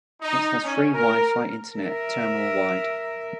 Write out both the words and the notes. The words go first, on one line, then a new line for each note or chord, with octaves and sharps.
It has free wi-fi internet terminal-wide.
D#4
C#4
A#4
A#4 E5